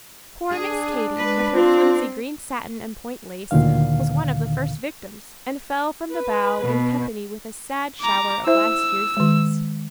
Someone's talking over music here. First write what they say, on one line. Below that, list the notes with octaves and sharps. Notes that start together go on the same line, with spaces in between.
Poor Miss Katy, with her flimsy green satin and point-lace, was one of the first victims, and fell from the bough in company with a sad shower of last year's leaves.
D4 G#4
G#3 B4
C4 F4
D2 A#2 D3 D#3 F5
B4
B2
A#5 D6
E4 C5 E5 E6
D#3 G#3